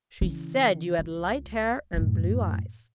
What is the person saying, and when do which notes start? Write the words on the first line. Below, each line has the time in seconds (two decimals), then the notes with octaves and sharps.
"She said you had light hair and blue eyes."
0.21 C#3 E3
0.99 C#2
1.93 F#2 A2